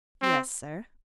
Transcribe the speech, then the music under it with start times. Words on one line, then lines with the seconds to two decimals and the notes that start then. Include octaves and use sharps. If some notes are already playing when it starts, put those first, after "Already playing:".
"Yes, sir."
0.22 C4